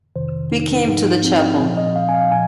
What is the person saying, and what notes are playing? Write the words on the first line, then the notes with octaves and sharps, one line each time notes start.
We came to the chapel.
F2 C3 D#3 C5
D#4
G#2 F3 D#4
C4
A#2 F3 C4
D#5
F5
G#5
F5
A#2 F3 G#5